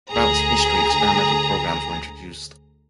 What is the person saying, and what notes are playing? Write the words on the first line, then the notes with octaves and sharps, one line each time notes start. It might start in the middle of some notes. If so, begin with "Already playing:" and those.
Throughout its history experimental programmes were introduced.
D2 G#4 A#5